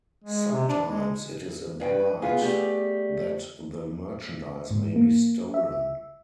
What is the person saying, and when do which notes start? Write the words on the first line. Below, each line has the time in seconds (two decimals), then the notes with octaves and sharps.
Sometimes, it is implied that the merchandise may be stolen.
0.24 G#3
0.52 C3
0.68 D4
0.87 G#3
1.80 G2 B4 G5
2.22 B3 F4 G#4
2.41 A3 G4 D5
4.71 G#2
4.96 A#3
5.54 E5